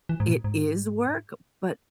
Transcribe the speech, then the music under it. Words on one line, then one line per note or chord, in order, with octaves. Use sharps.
it is work, but
E3
G#2
A#2
G#2